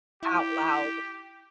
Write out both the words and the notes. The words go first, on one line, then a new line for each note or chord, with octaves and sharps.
out loud
E4 G4